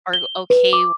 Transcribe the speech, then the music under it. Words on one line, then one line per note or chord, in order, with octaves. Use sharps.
are okay with
G7
B4
D6